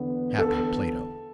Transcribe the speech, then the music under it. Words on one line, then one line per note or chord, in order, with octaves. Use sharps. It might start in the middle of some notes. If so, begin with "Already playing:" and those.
Happy Plato!
Already playing: E2 D3 B3
A4